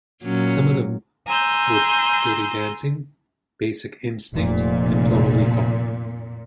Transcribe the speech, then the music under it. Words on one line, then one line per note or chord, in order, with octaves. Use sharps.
Some of them were "Dirty Dancing", "Basic Instinct", and "Total Recall".
A#2 F#3 C#4
G#5 A#5 C6 E6 G6
F1 A#2